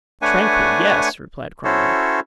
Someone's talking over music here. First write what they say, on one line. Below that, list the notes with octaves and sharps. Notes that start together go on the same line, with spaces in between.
"Tranquil, yes," replied Cromwell.
A3 D4 B4 C#5 F#5 G#5
C#4 E4 F#4 A4 C5 C#5